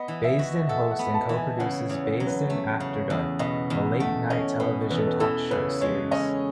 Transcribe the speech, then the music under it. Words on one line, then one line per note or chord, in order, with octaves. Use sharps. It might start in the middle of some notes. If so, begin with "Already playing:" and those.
Baisden hosts and co-produces "Baisden After Dark", a late-night television talk show series.
Already playing: B3 D#5
E3
E5
F#4
A4 F#5
F#5
B3
A5
E3
G#5
C#3 F#5
E2
C#5
F#3
B4
A3
C#3
E2
B2 D#5
E2
A3 F#5
C#4 D#5
B2 B4
E2 B4
A4
B4
E3 A4
C#3 B4
G#3 C#5
C#4 D#5